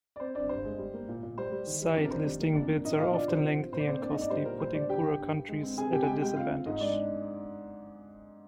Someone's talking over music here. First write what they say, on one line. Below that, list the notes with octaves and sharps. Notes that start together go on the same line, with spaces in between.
Site listing bids are often lengthy and costly putting poorer countries at a disadvantage.
D5
C4 C5
C4 D4 D5
G2 C5
G#3
G3
A#3
A#2
A#2
G3 C5
G3
D#3
G3
F2 D4 D5
A#4
D#3 C5
G3
A#3
F2 D4 D5
A#3
A#2 D#4 D#5
A#2 F4 F5
F3 D4 D5
C3 C5
F3
F3
A#2 C5
D5
C4 C5
A#3 D4 D5
D#4 D#5
G#2
D4 D5
G3 C5
A#2 A#4
G3 C5
G3 D4 D5
D3 G4 G5
D3
G2
G2
G#3
C4
C3 G#4 G#5
C3 G4 G5
G#5
G#3 G4 G5
G#3 G4 G5
C4 F4 F5
C4
G#2 D#4 D#5
G#3 D4 D5